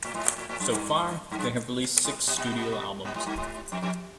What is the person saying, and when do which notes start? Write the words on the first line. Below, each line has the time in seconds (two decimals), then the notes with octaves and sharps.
So far, they have released six studio albums.
0.05 A2
0.15 G#2
0.25 A2
0.38 A2
0.49 A2
0.60 F#2
0.71 G2
1.31 G2
1.38 F#2
2.05 G#2
2.28 A#2
2.38 A#2
3.05 A#2
3.16 G#2
3.26 G2
3.38 G#2
3.72 F2
3.82 F2